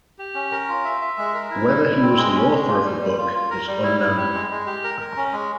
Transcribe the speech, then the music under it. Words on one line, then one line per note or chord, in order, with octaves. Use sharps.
Whether he was the author of the book is unknown.
G4
C#4
A#4
F4
E5
E5
G#3
A#4
E4
G3
E4
C4
G#3
C#4
G#3
F4
G3
G3
F4
F4
A#4
G3
E4
E4
G4
G#3
G#3
G4
A#4
A#4
C#4
G#3